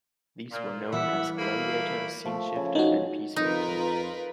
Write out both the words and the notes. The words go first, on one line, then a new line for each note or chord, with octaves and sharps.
These were known as "Gladiator", "Sceneshifter" and "Peacemaker".
A#2
E3 G3 E5 F#5
A3 A#3 B5
F3 A3
C#3
D#4 F#4
F2 D#4 F4 A#4 B4